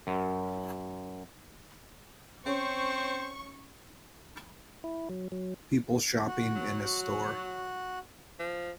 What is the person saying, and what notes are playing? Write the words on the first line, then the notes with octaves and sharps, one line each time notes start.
People shopping in a store.
F#2
C4 C#4 C5 C#6
E4
F#3
F#3
F#4 F#5
F#3
F3